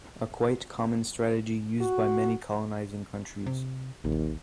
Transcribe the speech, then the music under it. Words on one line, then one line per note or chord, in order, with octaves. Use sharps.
A quite common strategy used by many colonizing countries.
F#4
C3
A#1 D#2